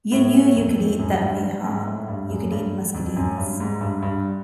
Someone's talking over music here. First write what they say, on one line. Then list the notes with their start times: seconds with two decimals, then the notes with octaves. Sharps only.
You knew you could eat that mayhaw, you could eat muscadines.
0.12 A2
0.56 F2
0.99 F#2
1.21 G2
1.64 G#2
1.86 A2
2.08 G2
2.29 F#2
2.51 G2
2.94 F2
3.16 F#2
3.37 G2
3.60 G#2
3.81 G2
4.02 G2